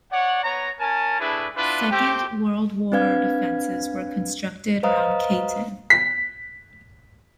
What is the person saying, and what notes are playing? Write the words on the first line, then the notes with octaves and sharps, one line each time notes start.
Second World War defences were constructed around Cayton.
C#5 D5 F#5
B3 C#5 A#5
C#4 A#4 G#5 A5
A3 D4 E4 G#4 B4
B3 D4 E4 F4 B4
A3 C4 G4
C4 D4 B4 F5 G#6
B4 C5 D#5 F5 A#5 D#6
B6